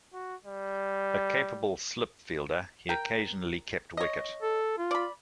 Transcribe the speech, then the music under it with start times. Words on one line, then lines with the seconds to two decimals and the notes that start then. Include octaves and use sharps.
A capable slip fielder, he occasionally kept wicket.
0.13 F#4
0.45 G3
2.89 A#4 G5
3.97 C#5 D#5
4.42 A4
4.78 F4
4.91 D5 B5